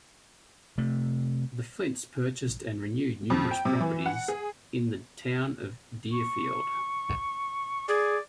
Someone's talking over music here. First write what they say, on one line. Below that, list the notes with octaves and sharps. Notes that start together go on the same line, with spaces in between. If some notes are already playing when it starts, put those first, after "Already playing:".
The Flynts purchased and renewed numerous properties in the town of Deerfield.
C3 A3
F2
G5
C3
E3
F#5
G#4
C#6
G#4 D5